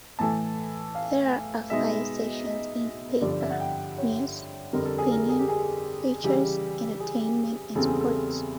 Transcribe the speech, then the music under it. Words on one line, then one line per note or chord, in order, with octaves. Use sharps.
There are five sections in the paper: news, opinion, features, entertainment, and sports.
A2 E3 A3 A5
F5
B2 G#3 B3 D#4 E5
D#5
G2 D3 F3 D5
D5
E5
F#5
G5
C#5
F2 D3 G3 A#4
A4
G#4
A#4
A4
G#4
G4
G#4
C#3 E3 G3 G4
G#4
E2 C#3 E3 G3 C4 A4
G#4
A4